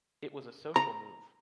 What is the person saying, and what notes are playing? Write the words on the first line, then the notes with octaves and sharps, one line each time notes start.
It was a social move.
A#5